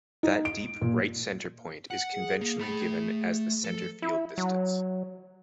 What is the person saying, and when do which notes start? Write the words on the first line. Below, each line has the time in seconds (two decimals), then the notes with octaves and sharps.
That deep right-center point is conventionally given as the center field distance.
0.23 D#4
0.45 D7
0.82 A#2
1.91 F#5
2.13 G#4
2.41 A#3
2.59 A3 B5
3.65 F3 A4
4.02 E4
4.38 F#3